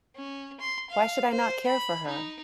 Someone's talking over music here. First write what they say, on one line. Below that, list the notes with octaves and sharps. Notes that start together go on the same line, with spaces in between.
Why should I not care for her?
C#4
C6
F5
C5
B5
D#4